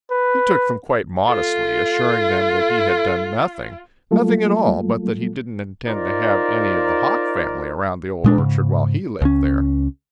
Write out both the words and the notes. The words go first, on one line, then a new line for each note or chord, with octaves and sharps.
He took them quite modestly, assuring them that he had done nothing, nothing at all, but that he didn't intend to have any of the Hawk family around the Old Orchard while he lived there.
B4
A3 F4
F#3 G3 A3 A#3 F4 A4
D#4 F4 A#4 C5 D5
A#2 G#3 D4
G#2 C#3
C#2 C#4